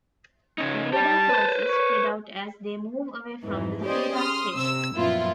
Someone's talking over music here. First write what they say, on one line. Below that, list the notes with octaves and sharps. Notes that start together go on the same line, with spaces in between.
Radar pulses spread out as they move away from the radar station.
C#3 C#4 D#4
G4 D5 A5
B4 C5
C#5
F2 G#2 E3
C#4 G4 G#4 C5 D5 D#5
C6 D#6 F6
C3 E6
F#2 A#2 F3 B3 E4 F4